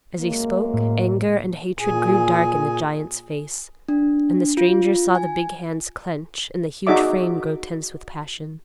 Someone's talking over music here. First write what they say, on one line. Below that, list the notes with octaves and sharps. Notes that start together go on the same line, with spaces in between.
As he spoke, anger and hatred grew dark in the giant's face, and the stranger saw the big hands clench and the huge frame grow tense with passion.
F#2 G#3 A#3
A2
A#2 G#4 G#5
D4
F4
G#5
D#4 F#4 G#4 D5 E5 D6